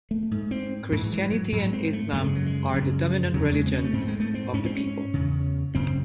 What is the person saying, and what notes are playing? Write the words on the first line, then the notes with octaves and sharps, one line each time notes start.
Christianity and Islam are the dominant religions of the people.
A3
G#2
C4
G#2 E3
E3
F#3
G#2 F#3
C4
A3
F#2 C#3 A3
G#3
F#3
G#3
F#2 C#3
E2 C#3 F#3
G#3
C4
C#4
A3
G#2 C4
G#3
A3
C4
G#2 C#4
C4
C#4
E2 C#3
F#2 C#3 C4